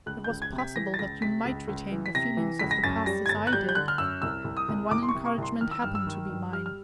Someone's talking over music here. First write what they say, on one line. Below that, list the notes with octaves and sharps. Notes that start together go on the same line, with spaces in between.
It was possible that you might retain the feelings of the past, as I did; and one encouragement happened to be mine.
C#2 F#6
G6
C#2
G#6
C3
B6
E3 A#6
A6
C#2 A#6
C3 B6
C#2
C#2
E3
B6
C3 A#6
E3
C#2 B6
A#6
F#2 A6
G3 A#6
G#6
G1 A6
F#6
G3 G6
G6
D3 F#6
F6
F#2 E6
C2 E6
C2
D#6
C2
C2 D6
C6
C#6
C3
C#6
C2 C6
D#3 F6
E6
G2 F6
E6
D#3
G2
G3 F6
F6